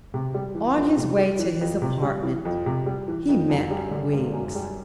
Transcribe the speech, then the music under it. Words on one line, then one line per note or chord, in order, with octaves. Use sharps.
On his way to his apartment he met Wiggs.
C3
G3
E3
F2
C3
G3
E3
F2
C3
G3
E3
F2
C3
G3
E3
F2
F#2
G3
D3
G#1
F#2
G3